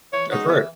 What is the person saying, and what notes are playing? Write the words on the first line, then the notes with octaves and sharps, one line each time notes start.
That's right.
E3 C#5
G#3 C#4 D#4 F#4
E3 B3